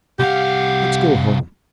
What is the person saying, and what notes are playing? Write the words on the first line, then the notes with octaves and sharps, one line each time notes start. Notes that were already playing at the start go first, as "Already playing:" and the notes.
Let's go home.
C2 G4 F5 F#5